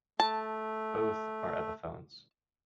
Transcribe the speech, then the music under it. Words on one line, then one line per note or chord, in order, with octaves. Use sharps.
Both are Epiphones.
A3 A5